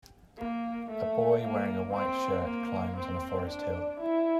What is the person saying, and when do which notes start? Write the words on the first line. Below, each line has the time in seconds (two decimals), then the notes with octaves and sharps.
A boy wearing a white shirt climbs on a forest hill.
0.38 A#3
0.90 A3
1.42 A#3
1.94 C4
2.45 A#3
2.97 C4
3.49 D4
4.00 E4